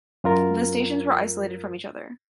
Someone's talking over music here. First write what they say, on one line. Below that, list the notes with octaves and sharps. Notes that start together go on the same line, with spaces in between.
The stations were isolated from each other.
F#2 F4 A#4